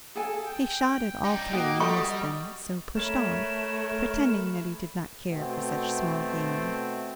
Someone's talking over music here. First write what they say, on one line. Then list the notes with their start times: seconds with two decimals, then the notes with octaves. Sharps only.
He shot at all three and missed them, so pushed on, pretending that he did not care for such small game.
0.16 G#4 A4 G#5
0.46 G5
1.25 D#4 D5
1.53 A#3 F#4 D#5 G5
1.80 G3 C#6
2.96 A3 A#4 C#5 B5 E7
5.30 B2 A3 C4